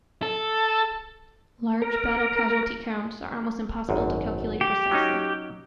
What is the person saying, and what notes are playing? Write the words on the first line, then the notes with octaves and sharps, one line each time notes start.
Large battle casualty counts are almost impossible to calculate precisely.
A4
A#4
G#1 F#2
G4
F#3 C#4 D#4